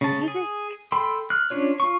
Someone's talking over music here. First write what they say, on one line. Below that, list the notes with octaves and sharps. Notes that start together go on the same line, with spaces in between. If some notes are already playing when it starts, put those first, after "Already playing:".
"He just ch
C#3 A5
G#4
A4 G5 B5 C6
F6 F#6
C#4 D4 F4 C#5
F4 C#6